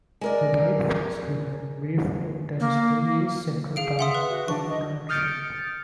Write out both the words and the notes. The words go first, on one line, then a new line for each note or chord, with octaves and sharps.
The Whiteface River briefly enters the east-central part of the township.
G#3 A#4 D5
A#3
G#4 F5 D7
E5 F#5 C6 D#6
B4
F#4
D4 C#6
D#5
D#6 F6 G6 A6 C#7 D7